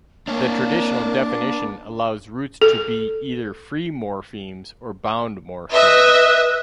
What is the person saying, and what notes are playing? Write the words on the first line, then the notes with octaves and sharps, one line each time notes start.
The traditional definition allows roots to be either free morphemes or bound morphemes.
A#3 D4 C#5 D5
A4
B4 D#5 E5